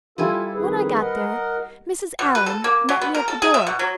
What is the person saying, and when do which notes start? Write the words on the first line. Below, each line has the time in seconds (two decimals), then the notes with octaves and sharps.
When I got there Mrs. Allan met me at the door.
0.18 G3 E4 F4 A4 G#5
0.54 F2 D#3 G#4 B4
1.00 A#4 D#5 F#5
2.19 B2
2.35 B4
2.46 A4
2.64 A#3
2.89 F#3
3.01 B3
3.15 A#4
3.28 A4
3.42 G#4
3.54 E5
3.67 B2
3.79 F#3